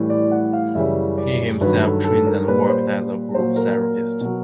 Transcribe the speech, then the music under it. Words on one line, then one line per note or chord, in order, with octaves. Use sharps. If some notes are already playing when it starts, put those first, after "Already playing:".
He himself trained and worked as a group therapist.
Already playing: A2 E3 G3
D5
F#5
F5
F#2 C#3 E3 G3 E5
D5
G2 D#3 F#3 B4
A4
A4
A#4
A#2 G3 B4
C5
A#2 F#3 C5
A#4
B2 F#3